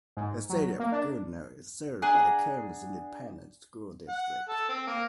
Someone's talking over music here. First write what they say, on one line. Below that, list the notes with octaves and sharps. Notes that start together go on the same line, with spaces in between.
The City of Goodlow is served by the Kerens Independent School District.
G#2
F#3
A#3
D4
D4 G#4 F#5 A#5
F#5
A4
C4
A#3